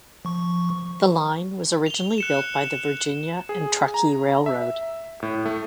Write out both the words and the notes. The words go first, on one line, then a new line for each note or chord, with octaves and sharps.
The line was originally built by the Virginia and Truckee Railroad.
F3 C#6
F7 G7
F#6 C#7 E7
G#4
A#5
E5
A2
A3